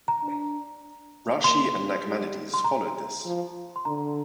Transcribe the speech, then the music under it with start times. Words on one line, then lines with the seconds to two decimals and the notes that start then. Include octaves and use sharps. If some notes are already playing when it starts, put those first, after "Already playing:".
Rashi and Nachmanides followed this.
0.08 A#5
0.23 D4
1.44 A#3 C6
2.05 G3
2.54 C6
2.64 A#5
3.25 F3
3.76 C6
3.85 D3 A#5